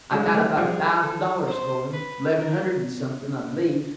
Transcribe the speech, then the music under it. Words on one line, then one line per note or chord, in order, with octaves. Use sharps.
"I got about a thousand dollars for them--eleven hundred and something, I believe."
F#3 G#3
G#3
G3 A3
F3 G3 G#4
A4
C5
B4
A#4